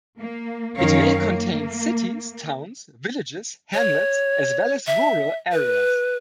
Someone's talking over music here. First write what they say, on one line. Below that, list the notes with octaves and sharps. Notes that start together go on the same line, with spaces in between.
It may contain cities, towns, villages, hamlets as well as rural areas.
A#3
F#2 D#3 C#4 A#4 C#5 F5
A#3
C#5
E5
B4